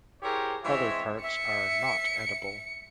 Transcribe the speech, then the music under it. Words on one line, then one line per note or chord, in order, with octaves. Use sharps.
Other parts are not edible.
E4 G4 G#4 A#4 C5 C#5
E3 G#3 C4 C5 C#5 E5
E5 C#7